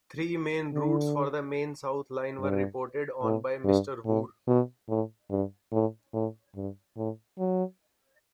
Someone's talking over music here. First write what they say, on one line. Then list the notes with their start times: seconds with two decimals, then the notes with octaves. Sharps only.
Three main routes for the Main South Line were reported on by Mr. Woore.
0.73 D3
2.39 G2
3.22 A2
3.64 G2
4.05 A2
4.47 B2
4.89 A2
5.30 G2
5.72 A2
6.13 A2
6.55 G2
6.97 A2
7.38 F#3